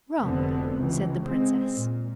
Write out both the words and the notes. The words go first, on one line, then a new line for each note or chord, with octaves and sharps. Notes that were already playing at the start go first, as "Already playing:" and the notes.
'Wrong,' said the Princess.
F1 B2 D3 B3 C4
C#2 C3 E3
G#3 C4
A#2